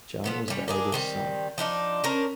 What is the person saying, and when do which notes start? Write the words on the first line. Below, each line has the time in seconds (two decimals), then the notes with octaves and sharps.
John was the eldest son.
0.24 F3 B3 A4
0.48 G3 C#4
0.68 A#3 D4 G#4
0.92 D#3 G3 C4
1.58 F3 D4 D#4 D5
2.04 C#4 D4 A#4 C5